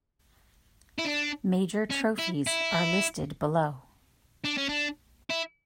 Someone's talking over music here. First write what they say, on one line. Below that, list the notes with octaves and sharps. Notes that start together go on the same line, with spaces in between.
Major trophies are listed below.
E4
D4
C#4
E4
E4
D4
C#4
D4
E4